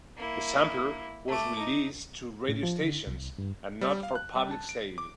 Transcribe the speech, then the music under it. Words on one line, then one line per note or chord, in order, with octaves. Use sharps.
The sampler was released to radio stations and not for public sale.
A#3 E4
A3 D6
D#4
A2
F3
D3
C2
G2
G3
F5
F#6
G3
A5
D7
D6